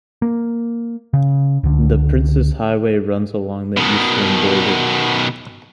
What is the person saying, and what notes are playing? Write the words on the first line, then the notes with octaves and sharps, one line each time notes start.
The Princes Highway runs along the eastern border.
A#3
C#3
C#2 D3
B2 D#3